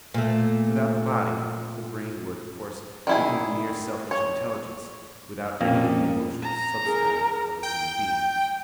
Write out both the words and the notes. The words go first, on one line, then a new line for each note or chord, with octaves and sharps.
Without the body the brain would, of course, become a mere selfish intelligence, without any of the emotional substratum of the human being.
A#2 A3
D#3 E4 G#4
C#5
A#1 F2 A#2 A#3 C#4
A#5
G#4 A#4
G5